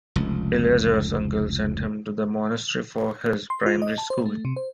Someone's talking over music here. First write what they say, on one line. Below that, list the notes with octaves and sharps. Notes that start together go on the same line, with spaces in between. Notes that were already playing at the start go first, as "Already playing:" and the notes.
Eleazar's uncle sent him to the monastery for his primary school.
F1 C#2
C6
F4
D#5
A5
C5
A3
C3
C5